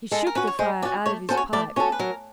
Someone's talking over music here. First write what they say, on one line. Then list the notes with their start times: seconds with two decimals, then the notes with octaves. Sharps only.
He shook the fire out of his pipe.
0.11 G#3 A4
0.27 A#4
0.35 C#4 F#4 B4
0.47 C#5
0.59 G#3 C5
0.82 C#4 D5
0.85 F#4
1.06 A3 C#5
1.29 C#4 F#4 A4 C5
1.37 C#5
1.53 A3 D5
1.76 C#4 F#4 A4 C#5
1.92 B4
1.99 F#3 A#4